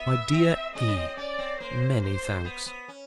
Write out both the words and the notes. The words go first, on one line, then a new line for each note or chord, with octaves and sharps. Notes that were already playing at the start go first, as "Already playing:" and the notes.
'MY DEAR E.--Many thanks.
Already playing: B3 E5
C4
C#4 D#5
B3
C4
C#4 D5
C4
A#3 C5
C5
B3
B3
C#4